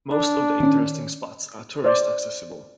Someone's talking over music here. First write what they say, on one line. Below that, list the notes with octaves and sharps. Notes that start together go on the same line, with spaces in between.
Most of the interesting spots are tourist-accessible.
D4
D#3 C#4
C5 D5